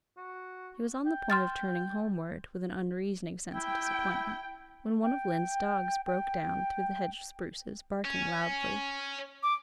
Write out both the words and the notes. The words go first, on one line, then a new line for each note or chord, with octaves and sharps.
He was on the point of turning homeward, with an unreasoning sense of disappointment, when one of Lynde's dogs broke down through the hedge of spruces, barking loudly.
F#4
G5
C6 F6 A6
E4 G5
G5
G5
C#4
D6